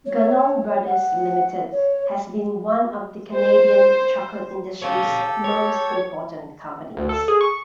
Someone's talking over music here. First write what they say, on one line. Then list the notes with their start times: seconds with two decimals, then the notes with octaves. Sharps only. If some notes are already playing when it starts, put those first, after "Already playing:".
Ganong Brothers Limited has been one of the Canadian chocolate industry's most important companies.
0.06 C#5
0.86 F#5
1.72 C#5
3.35 C5
4.82 G4 A4 C#5 F5
5.44 C#5
6.97 D2
7.09 A4
7.28 G#4
7.41 C#6